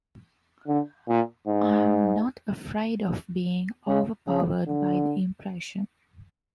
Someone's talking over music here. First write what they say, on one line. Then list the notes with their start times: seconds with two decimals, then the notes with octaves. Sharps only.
I am not afraid of being overpowered by the impression.
0.67 D3
1.08 A#2
1.48 G#2
3.87 C#3
4.28 C#3
4.67 D3